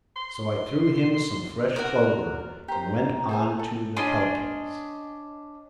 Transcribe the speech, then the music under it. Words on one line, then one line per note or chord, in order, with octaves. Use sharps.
So I threw him some fresh clover, and went on to the pelicans.
C6
F#4 A#4
G4 C5 A#5
G#4 C5 G#5
A4
C#4 D4 D#5 C6